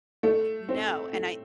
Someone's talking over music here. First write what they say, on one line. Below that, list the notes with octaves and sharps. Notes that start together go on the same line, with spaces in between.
No, and I
A3
C4
A3